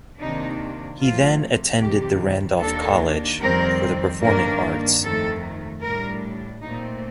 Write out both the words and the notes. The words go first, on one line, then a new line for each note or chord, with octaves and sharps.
He then attended the Randolph College for the Performing Arts.
C3 D#3 A#3 D4 D#4
C3 F3 A3 F4
F2 C3 D#3 G3 G4
D#2 D#3 A#3 D4 A4
F2 D#3 G3 C4 A#4
G2 D#3 A#3 D4 A#4
F2 D#3 A3 A4
A2 G3 D4 A#4
A#2 A3 C4 D#4